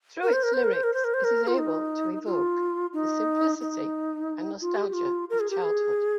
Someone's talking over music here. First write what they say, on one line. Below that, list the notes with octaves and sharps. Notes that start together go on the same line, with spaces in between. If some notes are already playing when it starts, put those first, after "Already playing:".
Through its lyrics, it is able to evoke the simplicity and nostalgia of childhood.
A#4
C5
A#4
C5
A#4
C5
A#4
C5
A#4
C5
A#4
F4
D#4
F4
D#4
D#4
F4
G4
G4
F4
A#4
G#4
G4
G#4